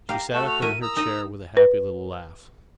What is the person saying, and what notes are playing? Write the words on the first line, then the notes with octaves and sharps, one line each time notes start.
She sat up in her chair with a happy little laugh.
G4 F5 A#5
A3 F#4 A4 E7
F7
E4 A#4 E5 D#7
A#5 D#6 E6
D#4 D#5
B4